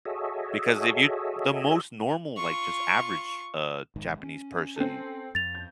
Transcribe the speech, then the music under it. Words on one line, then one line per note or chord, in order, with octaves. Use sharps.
Because if you the most normal, like, just average, uh, Japanese person,
F#4 G#4 A4 C#5 D#5 E5
F4 C#6
F1 G#2 D#3
C#4
C4 A4
F2 A6 F7
G6